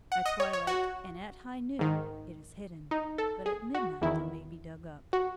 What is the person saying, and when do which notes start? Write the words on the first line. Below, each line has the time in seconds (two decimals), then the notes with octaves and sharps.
At twilight and at high noon it is hidden, but at midnight it may be dug up.
0.12 F#5
0.26 D#5
0.40 C#5
0.53 C#5
0.67 F#4
1.79 G#2 D#3
2.91 D#4
3.18 A4
3.46 G#4
3.75 F#4
4.01 E2 D#3 E4
5.13 F#4